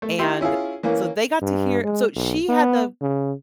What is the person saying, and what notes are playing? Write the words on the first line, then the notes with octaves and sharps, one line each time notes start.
and so they got to hear so she had the
A3
E4 G4 C6
C#4 E4 F4 G#4
E3 A#3 C#4
G2
G#3
B1
B3
C#3